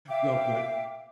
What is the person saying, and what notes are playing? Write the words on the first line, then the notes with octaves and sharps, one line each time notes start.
Well put.
E5 F5 G5 D6